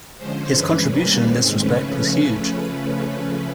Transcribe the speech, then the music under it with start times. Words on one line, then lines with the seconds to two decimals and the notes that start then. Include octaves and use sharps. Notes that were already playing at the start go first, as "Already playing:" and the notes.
His contribution in this respect was huge.
0.18 D3 F3 G#3 C#4 C5
0.53 G2 E3 G#3 C#4 B4
0.88 C3 D#3 G3 A#3 C#4 B4
1.23 G#2 D#3 G#3 C4
1.59 C#3 F3 A3 C#4 B4